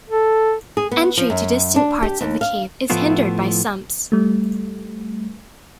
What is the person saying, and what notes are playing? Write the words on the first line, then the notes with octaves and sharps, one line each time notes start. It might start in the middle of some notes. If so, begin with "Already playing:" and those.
Entry to distant parts of the cave is hindered by sumps.
A4
G#4
B3
F3
F#2
D4
G4
D#2
F5
A2 F3 A3 B3 E4 F4
G3 A3